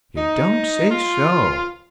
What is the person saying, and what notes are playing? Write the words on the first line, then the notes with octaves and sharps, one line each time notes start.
"You don't say so!"
D#4
F4